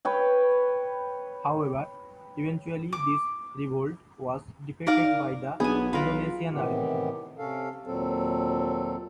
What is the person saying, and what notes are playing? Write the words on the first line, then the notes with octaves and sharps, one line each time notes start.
However, eventually this revolt was defeated by the Indonesian Army.
B4 C#5 G5
D6
D#4 A#4 D5 F5
B1 B3 D4 G#4 G#5
B1 F4 A#4 B4
A2 C3 D#3 E3 B3 G4
C3 C#4 A4 F5
D#2 A#2 F#3 C4 A4